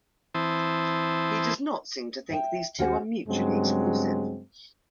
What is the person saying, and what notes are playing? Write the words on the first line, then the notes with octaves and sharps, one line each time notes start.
He does not seem to think these two are mutually exclusive.
E3 C4 E4 C5 A5 D#6
E5 G5
D#2 C#4 F#4 C5 F#5
G2 C#3 F#3 G#3 C4